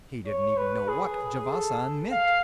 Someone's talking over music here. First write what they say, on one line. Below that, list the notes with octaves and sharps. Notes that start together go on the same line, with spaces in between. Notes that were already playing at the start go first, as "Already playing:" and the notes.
He didn't even know what Javasan meant.
C#5
B4
G#4
A4
F5